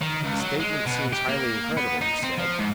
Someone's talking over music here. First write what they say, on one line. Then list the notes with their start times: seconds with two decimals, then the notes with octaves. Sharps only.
"The statement seems highly incredible," he said.
0.01 D#3
0.23 C#2
0.40 F#3
0.60 G#3
0.86 B2
1.13 G4
1.28 A#3
1.77 B3
2.01 D#4
2.23 C4
2.38 F3
2.59 G#2